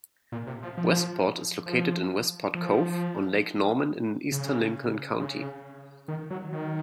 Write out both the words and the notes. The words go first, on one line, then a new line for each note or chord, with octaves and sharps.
Westport is located in Westport Cove on Lake Norman in eastern Lincoln County.
A#2
C3
F3
F3
F3
F3
C#3
C#3
D#3
F#3
D#3